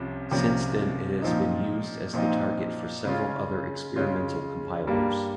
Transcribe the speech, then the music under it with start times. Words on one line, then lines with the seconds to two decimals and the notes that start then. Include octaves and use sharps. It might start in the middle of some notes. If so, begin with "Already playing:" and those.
Since then it has been used as the target for several other experimental compilers.
Already playing: C2 C3 F3 C#4
0.31 C2 C3 F3 A#3 C#4
1.22 A#2 F3 C4 D#4
2.13 A#2 F3 C4 D#4
3.05 C#3 G#3 C#4 F4
3.96 C#3 G#3 C#4 F4
4.87 G2 G3 A#3